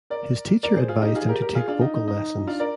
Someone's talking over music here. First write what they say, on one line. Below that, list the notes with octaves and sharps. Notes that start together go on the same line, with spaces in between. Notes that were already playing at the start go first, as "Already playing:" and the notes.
His teacher advised him to take vocal lessons.
A#4 D5
A#4 D5
G#4 C5
F4 G#4
D#4 G4
F4 G#4
G4 A#4
G4 A#4
F4 G#4
D4 F4
D#4
D#4
D#4
D4 F4
A#4 D5